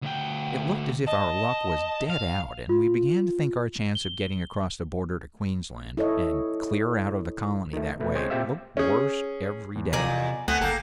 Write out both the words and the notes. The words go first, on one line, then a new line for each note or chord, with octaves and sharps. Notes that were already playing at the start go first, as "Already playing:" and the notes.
It looked as if our luck was dead out, and we began to think our chance of getting across the border to Queensland, and clear out of the colony that way, looked worse every day.
D2 G5
D#5 A5
F5
F4
G7
E4 A4 C#5 D#5
D#3 A3
B2 A3 B4
G#3 C4 G#4 C5 C#5 D#5
A#2 C4 G4 E5 F5 E6
C#4 G#4
E2
F2 C3 D5 G#5 A#5
D2 A3 B3 C4 F#5 G#5
G1 A#3 A4 G5 G6